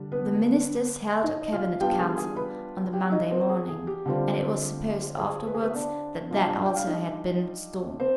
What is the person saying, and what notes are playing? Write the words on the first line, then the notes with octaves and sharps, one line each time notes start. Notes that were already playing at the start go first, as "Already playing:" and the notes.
The Ministers held a Cabinet Council on the Monday morning, and it was supposed afterwards that that also had been stormy.
Already playing: D3 G3 D4
B3 B4
D#4 D#5
D#5
F4 F5
G3 B3 D4 F4 G4 G5
G#4 G#5
G#4 G#5
B4 B5
G4 G5
D#4 D#5
C4 C5
G#4
G#4
G4
D3 G3 C4 F4
G#4
B4
G#4
B3 B4
D4 D5
G3 D4 F4
G5
F5
D#4 D#5
C4 C5